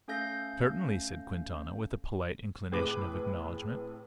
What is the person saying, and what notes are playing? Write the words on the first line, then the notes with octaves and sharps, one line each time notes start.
"Certainly," said Quintana, with a polite inclination of acknowledgment.
A3 C#4 A4 F5 G6 A#6
A2 C3 G#4 B4 D6